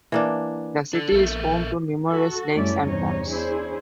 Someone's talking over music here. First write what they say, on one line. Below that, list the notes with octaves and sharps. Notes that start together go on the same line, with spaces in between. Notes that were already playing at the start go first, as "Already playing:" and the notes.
The city is home to numerous lakes and ponds.
E3 A#3 D4
D4 A4
A#1 A4 A#4 E5
F#4 A4
F#2 G3 A3 C#4 E4 D5
E2 G2 C3 D#4 C#5
C#4 D4 E4 G#4 C5